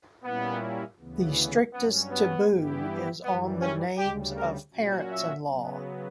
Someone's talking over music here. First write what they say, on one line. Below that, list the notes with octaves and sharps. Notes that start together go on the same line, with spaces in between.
The strictest taboo is on the names of parents-in-law.
A#2 G3 A#3 B3 C#4 E4
D2 C#3 E3 B3
G2 F#3 B3 C#4
B3
G2 E3 B3 E4 G4
F#2 E3 G3 B3
C#4
D2 C#3 G3 G4
A#4
A#2 F#3 C#4 F#4
E5
C#3 F#3 B3